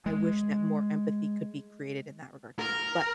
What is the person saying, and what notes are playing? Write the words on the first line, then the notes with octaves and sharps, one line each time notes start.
I wish that more empathy could be created in that regard. But
G#3
A#4